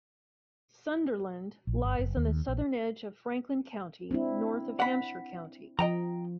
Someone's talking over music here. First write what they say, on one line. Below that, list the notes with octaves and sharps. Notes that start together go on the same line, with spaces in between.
Sunderland lies on the southern edge of Franklin County, north of Hampshire County.
A#1
G1
F#1
D#2
A#1
C4 D4 E4
F#5 B5
F3 D#5 G5 A#5